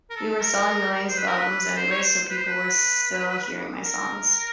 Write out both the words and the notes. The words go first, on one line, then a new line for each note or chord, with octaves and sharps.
We were selling millions of albums anyway, so people were still hearing my songs.
A#4
A4
A#4
C5
B4
A#4
B4
C5
C#5
C5
C5
B4
C5
B4
A#4